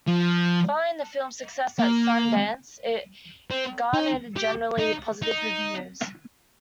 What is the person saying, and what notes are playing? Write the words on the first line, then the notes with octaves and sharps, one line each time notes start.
Following the film's success at Sundance, it garnered generally positive reviews.
F3
A#3
C4
D#4
G4
D#4
D#4